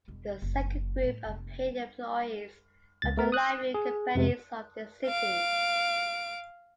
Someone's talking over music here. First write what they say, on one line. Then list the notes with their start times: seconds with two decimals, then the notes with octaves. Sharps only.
The second group are paid employees of the Livery Companies of the City.
0.08 E1 G3
0.42 F#1 E3
1.04 A2
1.25 F1 A#3
3.02 C#2 A6
3.17 A3 A#4
3.32 D#6 F#6
3.74 G#4
4.15 F2 C3 G#3
5.06 F5 D7